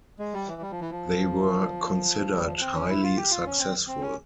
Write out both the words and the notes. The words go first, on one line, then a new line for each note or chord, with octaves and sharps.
They were "considered highly successful".
G#3
G3
E3
G3
F3
E3
F3
G3
F3
C4
C#4
E4
F4
G4
F4
C#4
C4
C4
C#4